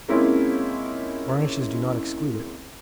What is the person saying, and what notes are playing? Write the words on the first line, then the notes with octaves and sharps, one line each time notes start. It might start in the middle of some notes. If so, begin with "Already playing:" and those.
Varnishes do not exclude it.
G#3 A#3 C4 C#4 E4 F4